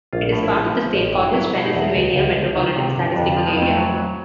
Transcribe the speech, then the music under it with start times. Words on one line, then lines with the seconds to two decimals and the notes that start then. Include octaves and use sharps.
It is part of the State College, Pennsylvania Metropolitan Statistical Area.
0.13 A#1 F4
0.32 A2
0.43 E4
0.54 F3
0.73 F3
0.94 A1
1.15 G2
1.34 F#3 E4
1.55 B2
1.65 D#4
1.74 E2
1.95 C#2
2.16 C#2
2.36 C#2
2.55 D#3
2.76 C3
2.96 G1
3.16 F2 D4
3.32 D4
3.37 F3
3.47 G#3
3.57 F2
3.63 A3
3.77 F#3
3.97 F#3